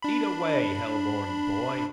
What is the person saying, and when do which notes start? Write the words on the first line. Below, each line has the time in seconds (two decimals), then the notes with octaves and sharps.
Eat away, hell-born boy!
0.02 D4 B5